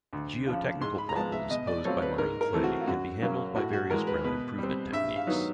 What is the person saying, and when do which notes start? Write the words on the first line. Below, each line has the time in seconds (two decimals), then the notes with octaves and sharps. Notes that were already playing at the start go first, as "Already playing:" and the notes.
Geotechnical problems posed by marine clay can be handled by various ground improvement techniques.
0.13 D2
0.47 C#3 F3
0.81 G#2 C6
0.98 B5
1.09 A#5
1.15 F3 G#3 B3 A5
1.32 E5
1.50 B2 D#5
1.67 D5
1.85 F#3 A3 C4 F4 C#5
2.02 B4
2.18 G#2 A#4
2.41 A#4
2.53 E3 A3 C4
2.64 F#4
2.80 F4
2.87 F#2 F#4
3.22 C#3 F#3 A#3 C#4
3.55 A2 F#4
3.73 F#4
3.90 E3 G#3 A#4
4.07 B4
4.24 B2 B4
4.58 G3 C4
4.92 G2 E5
5.16 F5
5.27 D#3 F#3 B3 D#4